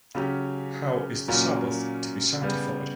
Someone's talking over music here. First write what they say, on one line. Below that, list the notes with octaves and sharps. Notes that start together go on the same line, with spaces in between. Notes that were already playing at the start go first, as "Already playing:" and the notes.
How is the sabbath to be sanctified?
C#3 F#3 C#4 G4
A#2 F#3 A#3 C#4
C#3 G3 B3